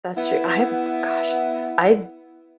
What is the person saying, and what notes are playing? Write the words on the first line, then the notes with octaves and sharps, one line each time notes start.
That's true. I have gosh, I
B3 E4